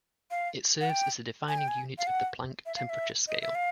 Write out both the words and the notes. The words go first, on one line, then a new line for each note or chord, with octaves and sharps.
It serves as the defining unit of the Planck temperature scale.
F5
F#5
G5
G#5
G5
G#5
F5
F#5
E5
F5
F5
E5
D#5
E5
F5